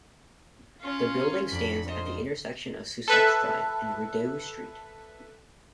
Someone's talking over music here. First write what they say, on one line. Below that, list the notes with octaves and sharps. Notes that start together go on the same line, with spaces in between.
The building stands at the intersection of Sussex Drive and Rideau Street.
C#4 F4
G#5
F2 D4 B5
C5 D#5
A4 B4 E5